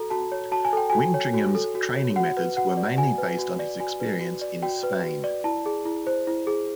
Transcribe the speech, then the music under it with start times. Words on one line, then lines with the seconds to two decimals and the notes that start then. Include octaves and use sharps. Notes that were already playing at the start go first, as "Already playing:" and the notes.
Wintringham's training methods were mainly based on his experience in Spain.
Already playing: F#4 A4 A#5
0.10 F#4 A5
0.32 C#5
0.52 F#4 A5
0.65 G#5
0.73 A4 G5
0.90 F#4 G#5
1.14 C#5
1.34 F#4
1.55 A4
1.75 F#4
1.96 C#5
2.16 F#4 F#5
2.37 B4
2.57 F#4 F#5
2.77 D5
2.98 F#4 G#5
3.18 B4
3.39 F#4
3.59 D5
3.80 F#4 G#5
4.00 B4
4.21 F#4
4.42 D5
4.63 F#4 G5
4.83 B4
5.04 F#4
5.24 D5
5.44 E4 A5
5.66 G#4
5.85 E4
6.07 C5
6.27 E4
6.47 G#4